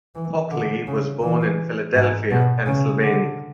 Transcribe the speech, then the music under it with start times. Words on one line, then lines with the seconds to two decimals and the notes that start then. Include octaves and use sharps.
Hockley was born in Philadelphia, Pennsylvania.
0.15 E3
0.51 D3
0.87 C#3
1.23 E3
1.95 G#2
2.31 B2
2.66 C#3
3.03 D3